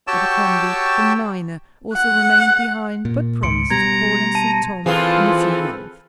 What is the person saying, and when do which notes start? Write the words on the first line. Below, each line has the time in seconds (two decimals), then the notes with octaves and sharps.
Abercrombie, the miner, also remained behind, but promised to call and see Tom in a few months.
0.07 F#4 G4 C#5 G5 A5 E6
1.94 F#5
3.05 A#2
3.43 C#2 G#2 C6 C#7 D7
3.70 B2 G3 A#5 G#6
4.35 A5 A#6 D#7
4.86 E3 F3 C4 F4 G#4 A4 B4